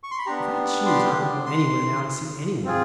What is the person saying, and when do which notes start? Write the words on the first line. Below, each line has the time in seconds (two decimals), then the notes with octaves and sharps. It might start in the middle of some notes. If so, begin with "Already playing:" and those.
If I choose, I won't go anywhere now to see any one.
0.03 C#6
0.11 C6
0.19 B5
0.26 B3 D4 G4 A#5
0.86 C6
1.46 C6
2.65 C4 F4 G#4